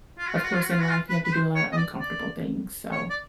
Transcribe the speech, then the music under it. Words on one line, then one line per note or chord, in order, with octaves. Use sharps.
of course, in life, you have to do a lotta uncomfortable things. So,
F4
F#4
F4
F#4
F4
F#4
F4
F#4
F4
B4
B4
C5
C#5
D#5
D5
D5
C#5
D5